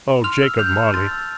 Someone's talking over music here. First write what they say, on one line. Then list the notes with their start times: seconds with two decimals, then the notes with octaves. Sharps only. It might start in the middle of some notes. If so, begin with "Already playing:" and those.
O Jacob Marley!
0.24 C6 F6 F7
0.42 E6
0.59 F6 G6 F7
0.77 A5
0.94 C6 A6
1.11 E6